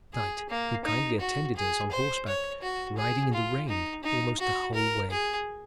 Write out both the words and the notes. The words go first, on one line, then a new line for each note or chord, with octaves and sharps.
Knight, who kindly attended us on horseback, riding in the rain almost the whole way.
G#4
A#3
D#4
F#4
G#4
C5
C#5
F#4
G#4
F4
D#4
D#4
F#4
A#4
G#4